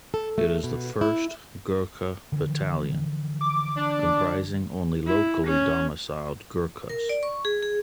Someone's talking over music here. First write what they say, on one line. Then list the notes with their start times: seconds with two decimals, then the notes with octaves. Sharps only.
It is the first Gorkha battalion comprising only locally domiciled Gurkhas.
0.14 A4
0.38 A3
0.63 B2
1.01 E4
2.32 D3 E3 F3
3.41 D6
3.77 D4
5.07 E4
5.47 C#4
6.89 A#4
7.09 D5
7.23 C#6
7.45 G#4
7.62 G#4